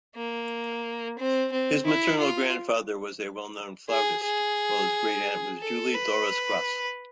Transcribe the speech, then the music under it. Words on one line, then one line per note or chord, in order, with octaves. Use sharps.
His maternal grandfather was a well-known flautist, while his great aunt was Julie Dorus-Gras.
A#3
C4
C4
E4
F4
G#4
G#4
A4
B4